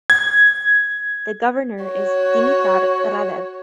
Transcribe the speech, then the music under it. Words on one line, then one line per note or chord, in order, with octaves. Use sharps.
The governor is Dimitar Radev.
G#6
F#4 C#5